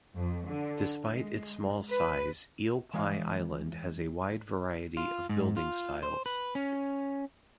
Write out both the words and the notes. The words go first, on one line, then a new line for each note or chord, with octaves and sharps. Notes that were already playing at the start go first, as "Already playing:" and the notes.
Despite its small size, Eel Pie Island has a wide variety of building styles.
F2
D3
G#3
B4
E3 G#3 C#5 F5
F4
G#2
F4
C5
B4
C#4